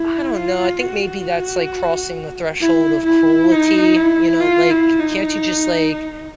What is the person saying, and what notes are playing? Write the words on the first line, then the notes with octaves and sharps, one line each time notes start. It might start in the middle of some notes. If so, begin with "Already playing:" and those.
I don't know, I think maybe that's like crossing the threshold of cruelty, you know, like, can't you just like,
Already playing: E4
F4
F#4
E4
E4
D#4
E4
F4
E4
D#4